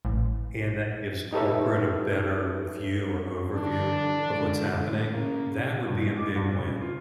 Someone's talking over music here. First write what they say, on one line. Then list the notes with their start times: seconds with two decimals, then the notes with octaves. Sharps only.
and that gives corporate a better view or overview of what's happening, that would be a big win.
0.05 A1
1.33 D#4 G4 A4 B4 C#5 E5
3.52 D3 E3 D4
4.26 D3 E3 G#3
5.12 C#3 A#3
5.86 G2
6.05 G#3
6.18 D6
6.36 G2
6.58 C#3
6.82 F4